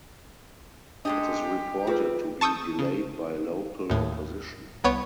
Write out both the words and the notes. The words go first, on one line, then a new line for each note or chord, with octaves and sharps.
It is reported to be delayed by local opposition.
G#3 D4 G4 A4 D#5
C4 F4 G#4 B4
A5 C#6 D#6 E6 G6
C#3
D#2 A2
C2 B3 C#5 D7